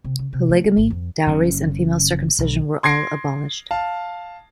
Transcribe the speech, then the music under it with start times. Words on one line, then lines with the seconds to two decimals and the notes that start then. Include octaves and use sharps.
Polygamy, dowries and female circumcision were all abolished.
0.04 C3
0.19 C#3
0.33 C3
0.49 A3
0.64 C#2
0.77 G#1
0.90 F2
1.27 F#1 C#3 C#4
2.39 B1
2.83 C6 G#6 A#6 C7 D7
3.71 F5 A5